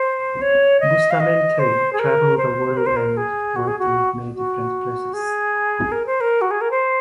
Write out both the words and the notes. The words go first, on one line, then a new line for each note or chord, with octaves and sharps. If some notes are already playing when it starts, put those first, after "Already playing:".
Bustamente travelled the world and worked in many different places.
Already playing: C5
C#5
D#5
F5
D#5
C5
G#4
A#4
C5
A#4
C5
A#4
G#4
F#4
G#4
F#4
F#4
G#4
A#4
C5
A#4
F#4
G#4
A#4
C5